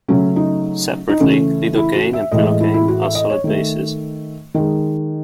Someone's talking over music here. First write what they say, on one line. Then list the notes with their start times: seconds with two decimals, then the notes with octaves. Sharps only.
Separately, lidocaine and prilocaine are solid bases.
0.08 C#3 F#3 A3 C#4
0.36 D#4
1.09 D#4
1.20 C#3 E3 A3 C#4
1.75 E4
1.94 F#4
2.13 E5
2.32 A2 E3 G#3 D#5
2.46 D#5
2.60 E4
2.74 E4
2.88 F#4
3.02 E5
3.15 D#5
3.30 C#5
3.44 D#3 A3
4.54 D#3 G#3